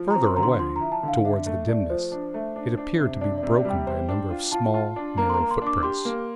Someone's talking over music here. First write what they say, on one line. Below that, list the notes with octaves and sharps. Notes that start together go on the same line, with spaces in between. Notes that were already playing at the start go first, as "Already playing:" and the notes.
Further away towards the dimness, it appeared to be broken by a number of small narrow footprints.
Already playing: F3
A#5
C4
C6
D3 A#5
C6
F3 C6
E4 A#5
A5
D3
F5
D4 E5
A3
A3 D5
F3 C5
D4
A3
D4
D4
C3
D4 D5
C3 D5
D5
G3
G5
C5
D4
F4
F4 A5
F4
D4
A#3 A#5
C6
A#5
A#3
C6
D4 D6
G4 C6
A#3